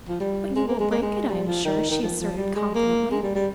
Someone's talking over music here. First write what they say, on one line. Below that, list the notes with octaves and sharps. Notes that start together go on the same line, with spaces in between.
"But you will break it, I am sure," she asserted confidently.
F3
G3
G#3
A#3
G#3
A#3
G#3
G3
F3
D#3
D#3
F3
F3
G3
G#3
A#3
G#3
G3
G3